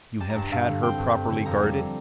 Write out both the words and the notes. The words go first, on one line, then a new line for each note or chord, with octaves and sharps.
"You have had her properly guarded?"
G3 A5
A#5
G2 A5
G2 F5
D3
C4 G5
G2
G2
D3
F2 A#5
G3